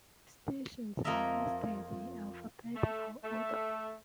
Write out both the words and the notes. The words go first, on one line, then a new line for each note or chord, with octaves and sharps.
Stations are listed in alphabetical order.
F2 A#3 A#4 D#5 E5 A#5
A3
A3